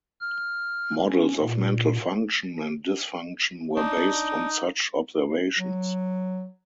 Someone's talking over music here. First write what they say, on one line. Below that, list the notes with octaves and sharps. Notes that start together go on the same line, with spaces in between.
Models of mental function and dysfunction were based on such observations.
F6
C#4
A#2
D4 D#4
F#3